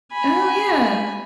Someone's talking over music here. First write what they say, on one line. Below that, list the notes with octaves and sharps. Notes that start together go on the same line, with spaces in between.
Oh, yeah.
G#5 B5